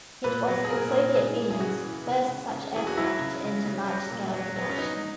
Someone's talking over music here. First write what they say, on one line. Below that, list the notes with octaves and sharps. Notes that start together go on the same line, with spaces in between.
It was the Soviet Union's first such aircraft to enter large-scale production.
A#2 B4
F#3
G#4
A#2 A#4
A#2
C#3 G#4
E3
G#4
C#3 F#4
E3
C#3
C#3
C#3
E3 G#4
F#4
F#3 E4
C#3
C#3
C#3
F#3
A#2
F#3
F#3
B3
C#4
F#3 D#4